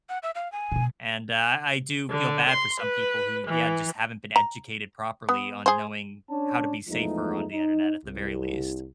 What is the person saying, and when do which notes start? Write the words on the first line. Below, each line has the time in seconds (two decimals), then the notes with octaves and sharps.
And, uh, I do feel bad for some people who, yeah, just haven't been educated properly on knowing how to be safer on the Internet at the very least.
0.09 F#5
0.23 E5
0.35 F5
0.52 G#5
0.72 B2 B3
2.10 D3
2.49 C6
2.80 B4
3.48 E3
4.36 A#5
5.29 B3
5.66 G#4 C5
6.30 C#4 D4 C#5 A5
6.88 E2 F3 G#3 A3 D#4
7.51 D#4
8.05 C2